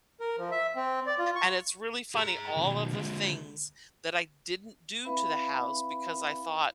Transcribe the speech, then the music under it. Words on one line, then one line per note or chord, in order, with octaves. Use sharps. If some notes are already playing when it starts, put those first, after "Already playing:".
And it's really funny, all of the things that I didn't do to the house because I thought,
A#4
F3
E5
C4
D5
F4
C#6
G#4 A#5
B2 D#3
D3 G#3
C4 E4 B4 E5 F5 B5